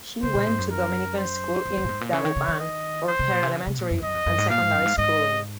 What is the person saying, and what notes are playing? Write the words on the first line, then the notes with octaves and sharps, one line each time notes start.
She went to Dominican School in Dagupan for her elementary and secondary schooling.
C#3 C5
A#2
G#2
F#2
A#4
C5
F2
F#2
A#2
G#2
A#2
C#3 C#5
D#3
C#3
D#3
D#5
C5
C3
A#2
C3
C#3
C3
A#2
F#2
F2
F#2 D#5
F2
F#2
G#2
A#2 F5
G#2
F#2
G#2
G#2 D#5